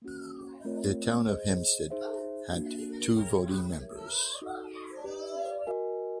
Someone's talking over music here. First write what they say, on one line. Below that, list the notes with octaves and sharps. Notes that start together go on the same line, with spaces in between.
The Town of Hempstead had two voting members.
A#3 C#4 F#4
A3 C4 F4 A#4 C#5
G#4 C5 D#5
D#4 G#4 C5 E5
A#3 D4 F#4
G#4 C#5 E5 G5
G4 A#4 C#5 E5
D#4 F#4 A4
G4 B4 D5
F#4 A#4 D#5 G#5